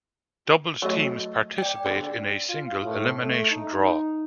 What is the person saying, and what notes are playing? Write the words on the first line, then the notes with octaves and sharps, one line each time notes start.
Doubles teams participate in a single elimination draw.
F#3 A3 D#5
D5 G5
D3
F4
A2
A3
D#4